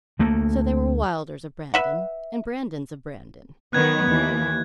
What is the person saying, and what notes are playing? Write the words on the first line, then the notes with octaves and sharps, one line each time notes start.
So there were Wylders of Brandon, and Brandons of Brandon.
D2 A3 A#3
B4 E5 F#5
D#3 F#3 B3 F#6 G#6
D#2 E3